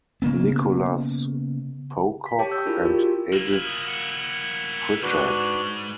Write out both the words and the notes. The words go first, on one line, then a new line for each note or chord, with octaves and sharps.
Nicholas Pocock and Edith Prichard.
C#3 A#3 B3
B6
G4 C#5 G5 A5 D6
E6 G6
D4 E4 F4 G#4 A#4
F4 G4
F#4
A#3 E4
D#6
F#5
C#2 G#2 D4 F#4 B4